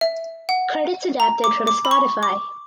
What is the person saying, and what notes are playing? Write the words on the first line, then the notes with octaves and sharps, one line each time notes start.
Credits adapted from Spotify.
E5
F#5
A#5
D6
D6
B5
C#6
D6